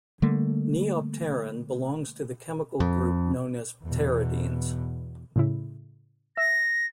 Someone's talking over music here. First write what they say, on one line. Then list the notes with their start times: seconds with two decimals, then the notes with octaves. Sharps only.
Neopterin belongs to the chemical group known as pteridines.
0.22 D3 G3 A3 A#3
2.80 F2
3.82 E2 B2
5.36 A2 C#3 E4
6.37 E5 A#6